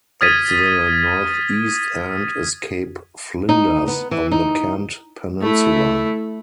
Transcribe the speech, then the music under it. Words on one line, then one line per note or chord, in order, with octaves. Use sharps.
At the northeast end is Cape Flinders on the Kent Peninsula.
D#6 F6 G#6 A6 B6 D#7
D#4
B3
E3
D#4
A3 E4